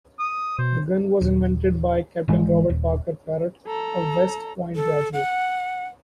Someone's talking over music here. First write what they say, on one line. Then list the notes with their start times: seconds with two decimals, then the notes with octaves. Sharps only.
The gun was invented by Captain Robert Parker Parrott, a West Point graduate.
0.19 D#6
0.58 B2 C5
1.21 D#1
2.28 G#1 E3 G#3
2.70 D#1
3.67 A4 A#5
4.74 A4
5.13 F#5